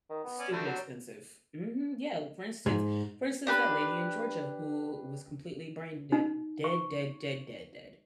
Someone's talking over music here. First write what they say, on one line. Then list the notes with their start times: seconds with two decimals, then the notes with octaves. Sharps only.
stupid expensive. Mhm. Yeah, for instance for instance, that lady in Georgia who was completely brain dead. Dead, dead, dead, dead, dead,
0.10 D#3
0.24 B3
0.39 C#4 D5
0.52 D3 G3 A3 C4
0.66 F#3
2.66 G#2
3.47 D4 G4 B4
6.12 D#4
6.64 C#6